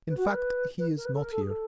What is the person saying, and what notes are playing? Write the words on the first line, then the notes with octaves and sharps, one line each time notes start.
"In fact, he is not here...."
B4
F#4
A#4
B4
B4
A#4
B4
A4
A#4
A4
G#4
A4